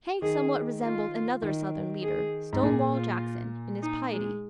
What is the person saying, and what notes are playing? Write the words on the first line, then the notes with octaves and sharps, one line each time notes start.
Haig somewhat resembled another Southern leader, Stonewall Jackson, in his piety.
D#3 G#4
F4
D#3
G#4
G#2
A#2 G#4
F4
D#4
G#3